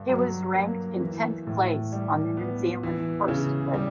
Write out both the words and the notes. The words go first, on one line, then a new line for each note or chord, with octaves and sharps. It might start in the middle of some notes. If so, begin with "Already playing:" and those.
He was ranked in tenth place on the New Zealand First list.
Already playing: G2 D3
F#3
A#3
E3
A2
G3
B3
E3
C#3
G3